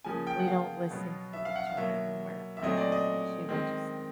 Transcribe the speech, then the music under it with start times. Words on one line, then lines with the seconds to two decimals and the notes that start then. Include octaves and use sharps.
we don't listen to each other when we're arguing, she will just
0.05 C#3 F3 A#3 G#5
0.27 G5
0.39 F#5
0.48 F5
0.91 B2 F#3 B3
1.33 E5
1.45 F5
1.56 F#5
1.67 F5
1.77 B2 F#3 A#3 E5
2.57 E5
2.63 A#2 F#3 A3 C4 D#5
2.77 D5
2.92 D#5
3.49 D#3 G#3 C4